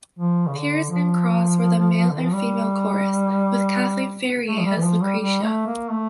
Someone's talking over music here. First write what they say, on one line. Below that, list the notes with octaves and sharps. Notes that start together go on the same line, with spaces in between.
Pears and Cross were the Male and Female Chorus, with Kathleen Ferrier as Lucretia.
F3
C#3
D3
F3
D3
E3
F3
G3
A3
F3
G3
E3
F3
G3
G3
A3
A#3
A3